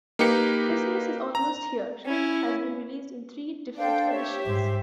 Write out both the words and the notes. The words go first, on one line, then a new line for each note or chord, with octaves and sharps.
"Christmas Is Almost Here" has been released in three different editions.
A#3 D#4 G4 B4 C#7
A#5
C#4 E4
D4 A4 C5 D5 F5 G5
G4 C#5 E5
G#2 C5